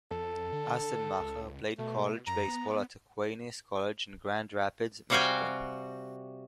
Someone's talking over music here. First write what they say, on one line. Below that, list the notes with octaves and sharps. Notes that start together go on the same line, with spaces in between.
Assenmacher played college baseball at Aquinas College in Grand Rapids, Michigan.
F2 A4
D3
C#2
B2 A3
F#2 A#5
B3
C3 G3 F#4 F5 G5 G#5